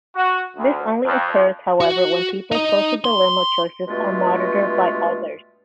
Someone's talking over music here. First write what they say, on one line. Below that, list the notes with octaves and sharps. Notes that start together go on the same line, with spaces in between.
This only occurs however when people's social dilemma choices are monitored by others.
F#4
D2
F2
F#4
D#4 D#5
C6
G2 B2 G#3 A3 F4